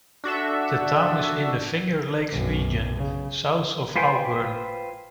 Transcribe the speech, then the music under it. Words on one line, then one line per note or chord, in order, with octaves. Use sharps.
The town is in the Finger Lakes region, south of Auburn.
D4 F#4 A4 E5
B1 F#2
C#3
F4 B4 C5 G5 G#5